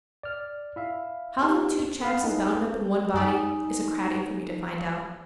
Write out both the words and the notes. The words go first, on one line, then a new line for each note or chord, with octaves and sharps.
How them two chaps is bound up in one body, is a craddy for me to find out.
D5 F6
E4 E5 F5
B3 D#4 G4 C5
A4 F5
C#4 D#4 E4 G#4 A4 B4
F#2 D#4 D5 G#5 B5 D#6